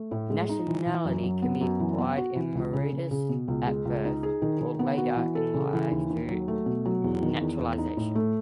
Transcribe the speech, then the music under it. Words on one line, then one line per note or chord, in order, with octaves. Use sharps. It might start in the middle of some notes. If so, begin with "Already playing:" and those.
Nationality can be acquired in Mauritius at birth or later in life through naturalisation.
Already playing: A3
A2
G#3
D#4
E3
E3
F#2
F#3
B3
F#2
E3
B3
F#4
E3
C#2
C#3
C#3
C#3
B2
C#2
G#3
C#2
D#4
G#4
D#3
D#3
B3
F#4
E3
A4
C#3
E3
D#2
D#2
F#3
A3
B2
F#3
E2
D#3
E2
E2
D#4
A2
A3